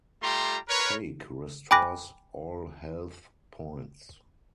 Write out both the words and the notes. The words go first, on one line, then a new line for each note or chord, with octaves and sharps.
Cake restores all health points.
G3 A3 F4 G4 A#5 C6
A#4 B4 C#5
G5 G#5 B5 D6 F#6 A#6